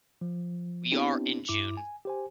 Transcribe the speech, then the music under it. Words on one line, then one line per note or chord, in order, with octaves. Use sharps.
We are in June.
F3
B3 C4 D4 E4 G4
G2 E4 D6
G#5
G4 C5 G#5